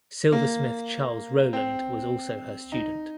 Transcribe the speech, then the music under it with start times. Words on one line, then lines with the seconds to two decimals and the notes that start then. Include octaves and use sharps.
Silversmith Charles Rowland was also her student.
0.32 A#3
1.53 C4
2.72 D#4